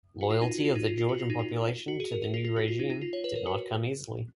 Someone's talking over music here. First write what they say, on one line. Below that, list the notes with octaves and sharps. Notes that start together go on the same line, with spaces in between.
Loyalty of the Georgian population to the new regime did not come easily.
F#4
F4
D#4
F#4
F4
D#4
F4
F4
F#4
F4
D#4
F4
F#4
G#4
A#4
A#4
F4
F4
F#4
F4
D#4
D#4
F4
C#5
B4
A#4
F#4